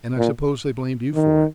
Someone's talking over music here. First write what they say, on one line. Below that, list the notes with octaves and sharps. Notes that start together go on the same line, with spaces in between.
"And I suppose they blamed you for it."
A#2
D#3